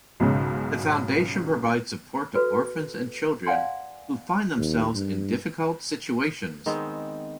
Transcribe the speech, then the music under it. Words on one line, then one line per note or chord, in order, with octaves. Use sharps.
The foundation provides support to orphans and children who find themselves in difficult situations.
B1 G#2 C#3 G#3
F#4 A4 B4
D5 F5 F#5 G#5 C6
D#2
G2
D#3 G#3 B3 C4